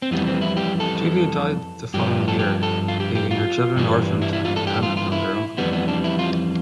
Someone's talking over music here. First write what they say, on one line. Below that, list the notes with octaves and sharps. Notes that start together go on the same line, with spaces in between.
Julia died the following year, leaving her children orphaned and dependent on their uncle.
C4
F2 E3 G3 B3
C4
E4
G4
A4
G2 F3 G4
A4
G4
A4
F4
G4
G4
F4
G2 E3 G3
E4
E4
F4
A4
G4
F4
F4
E4
F2 E3 G3 B3
B3
D4
E4
F4